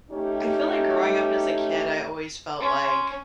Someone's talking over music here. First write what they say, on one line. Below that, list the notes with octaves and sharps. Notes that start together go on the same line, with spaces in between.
I feel like growing up as a kid, I always felt like
A3 C#4 D#4 G4
C#4 C6